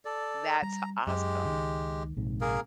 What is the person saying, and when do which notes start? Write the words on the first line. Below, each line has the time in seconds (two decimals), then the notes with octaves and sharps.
That's awesome.
0.05 A4 D5
0.62 G3 A#5
1.07 F#2 G#3 G4
1.45 C#2 D#3
2.17 A#1 G#2 C3
2.41 A#3 G#4 A#4